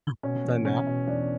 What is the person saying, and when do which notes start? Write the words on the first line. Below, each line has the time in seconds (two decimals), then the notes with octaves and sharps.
I've done that.
0.23 B2 C#4
0.45 E2
0.65 B2 C#4
0.87 B2
1.07 E2 D4